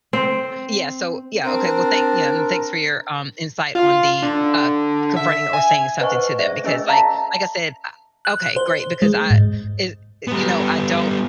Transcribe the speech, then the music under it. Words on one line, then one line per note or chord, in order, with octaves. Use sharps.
yeah, so yeah, okay, well, thank y um, thanks for your, um, insight on the, uh, confronting or saying something to them because like like I said, I okay, great, because I it it you know, I don't
C4
C4 D4 A#4
F4
D3
E5
G#5
B4 C5 D#5 F#5 G#5 C#6
G#4 C5 D5 E5
C#4 G#4 A#4 D#5 G#5 E6
G#4 E5 F5 A5 A#5
F#6
C5
G#3
G#2
G3 B3